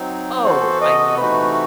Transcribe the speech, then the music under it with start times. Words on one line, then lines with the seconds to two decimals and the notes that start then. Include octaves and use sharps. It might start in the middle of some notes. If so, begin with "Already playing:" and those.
Oh, I mean, w
Already playing: F#3 C4 D#4
0.44 E3 B3 F#4 A4 C5
0.81 D#5
1.18 C3 E3 A3 D#4 F#4 B4